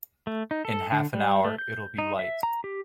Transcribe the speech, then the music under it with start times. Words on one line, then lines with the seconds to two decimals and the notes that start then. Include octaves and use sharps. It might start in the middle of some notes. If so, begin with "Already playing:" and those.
In half an hour it'll be light.
0.27 A3
0.51 D#4
0.65 A4
0.92 D3
1.14 G3
1.44 A3
1.58 G6
1.98 D#4
2.19 E5
2.43 A#5
2.64 G4